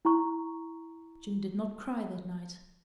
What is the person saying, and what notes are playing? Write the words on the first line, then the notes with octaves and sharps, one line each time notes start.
June did not cry that night.
E4 A#5 C#6